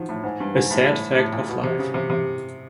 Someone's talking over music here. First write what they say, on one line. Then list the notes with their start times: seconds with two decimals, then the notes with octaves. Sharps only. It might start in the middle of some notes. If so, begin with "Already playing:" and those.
A sad fact of life.
Already playing: D#3 F3 F#3
0.09 A2
0.23 G#2
0.40 G2
0.55 G#2
0.71 A2
0.86 A2
1.17 A2
1.32 A#2
1.48 B2
1.64 C3
1.79 C#3
1.94 C3
2.10 C3